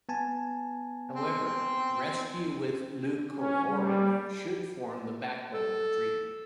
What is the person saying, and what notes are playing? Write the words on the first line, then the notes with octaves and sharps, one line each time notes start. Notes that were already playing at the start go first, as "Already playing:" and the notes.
However, rescue with leucovorin should form the backbone of treatment.
B3 G#5 A5
C4
C#4
G3
A4